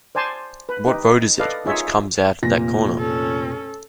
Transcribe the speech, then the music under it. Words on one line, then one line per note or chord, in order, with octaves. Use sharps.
What road is it which comes out at that corner?
C5 D5 G#5 A5 C6
B4
D#4 G4 B4
A4 B4 D5 D#5 F5
D#4 F4 G#4 C#5 E5
F1 A#2 A#3 A#6
C#4 A4